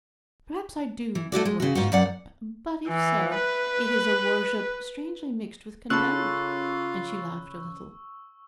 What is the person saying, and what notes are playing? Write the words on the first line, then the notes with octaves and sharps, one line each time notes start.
Perhaps I do worship; but if so, it is a worship strangely mixed with contempt.' And she laughed a little.
E3
A3 E4 F#4 D5
G#3
C#3 F#4
G#2 F4 F#4
F#2 D5 F#5
E3
B4
C#3 C#4 F4 A4 B5 C#6 E6 F#6